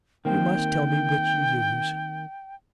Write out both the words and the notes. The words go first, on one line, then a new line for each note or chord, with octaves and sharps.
'You must tell me which you use.'
D#3 A#3 C4 G5